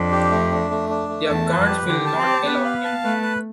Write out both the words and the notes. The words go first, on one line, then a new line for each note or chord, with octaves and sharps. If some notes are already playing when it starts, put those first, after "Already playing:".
Their guards will not allow him.
Already playing: F2 D4
G4
A3
D4
A3
D4
A3
E2 A5
B4
F2
G4
D3 G4
A5
C4
G4
B3 B4
F5
A5
A3 B4
B4